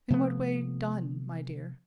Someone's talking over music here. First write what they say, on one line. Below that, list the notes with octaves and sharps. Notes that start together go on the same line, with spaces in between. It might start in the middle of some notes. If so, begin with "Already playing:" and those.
"In what way 'done,' my dear?"
C3 F3 A3 B3